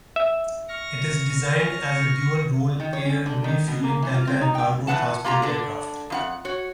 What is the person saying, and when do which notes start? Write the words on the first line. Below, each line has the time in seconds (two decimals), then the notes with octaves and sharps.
It is designed as a dual-role air refueling tanker and cargo transport aircraft.
0.16 E5
0.69 C#6 F6 A#6
2.80 D#3
2.93 C#5
3.05 C#4
3.26 D3
3.44 D#3
3.68 B2
3.84 A#3
4.02 E3
4.14 F4
4.27 C4
4.41 D#4
4.55 G5
4.87 E3 B3 B4 F#5 A5
5.24 A#3 F4 G4 A#5
5.42 D3 D4
6.10 F2 F4 F#5
6.45 F#4 C#5